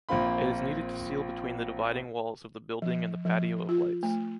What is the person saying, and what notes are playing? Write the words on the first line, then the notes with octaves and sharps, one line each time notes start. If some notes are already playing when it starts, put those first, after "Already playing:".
It is needed to seal between the dividing walls of the building and the patio of lights.
A#1 A#3 C4 F4 B5
F3
F3
F4
A3